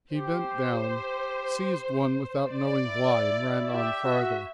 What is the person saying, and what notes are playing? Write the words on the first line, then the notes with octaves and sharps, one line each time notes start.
He bent down, seized one without knowing why, and ran on farther.
G4 C5
G4
D5
E4
G4 E5
F#4